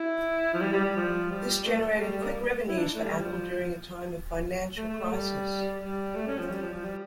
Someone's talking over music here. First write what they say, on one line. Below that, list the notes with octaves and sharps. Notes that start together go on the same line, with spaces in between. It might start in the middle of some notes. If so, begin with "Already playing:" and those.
This generated quick revenues for Apple during a time of financial crisis.
Already playing: E4
F3
G3
G3
G3
F3
G3
A3
G3
G3
A#3
E4
D4
A3
G3
F3
A3
A3
A3
G3
G3
A3
C#4
F3
G3
F3
F3
G3